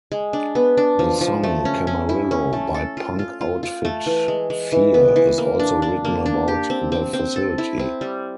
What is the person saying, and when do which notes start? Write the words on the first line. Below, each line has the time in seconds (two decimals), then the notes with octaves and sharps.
The song "Camarillo" by punk outfit Fear is also written about the facility.
0.12 G#3
0.33 D4
0.55 B3
0.77 D4
0.99 F3
1.21 F3
1.43 A3
1.65 C#4
1.87 C#4
2.09 E4
2.31 C#4
2.53 A3
2.74 A4
2.97 F4
3.19 F4
3.41 F4
3.63 F4
3.85 A3
4.06 E3
4.28 G#3
4.50 G#3
4.72 E3
4.94 B3
5.16 E3
5.38 A#3
5.60 D4
5.82 D4
6.05 A#3
6.26 D4
6.48 G4
6.70 C4
6.92 C4
7.13 C4
7.36 A4
7.58 E4
7.79 C4
8.01 G3